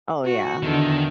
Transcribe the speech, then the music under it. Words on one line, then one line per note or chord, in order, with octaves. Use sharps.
Oh, yeah.
F#4
E2 D3 D#3